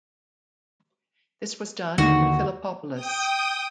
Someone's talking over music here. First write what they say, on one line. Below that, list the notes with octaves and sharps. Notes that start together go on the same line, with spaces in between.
This was done in Philippopolis.
D#2 D3 D#4 F#4
G5 D#6